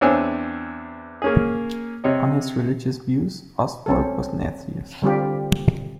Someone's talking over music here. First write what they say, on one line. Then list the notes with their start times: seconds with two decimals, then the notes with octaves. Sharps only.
On his religious views, Ostwald was an atheist.
0.01 E2 C4 D4 C#5 G#5 E6
1.22 A#3 C#4 G#4
2.04 C3 C#5 D#5
3.86 C4 C#4 A4
5.02 D3 G3 C4 F4 G4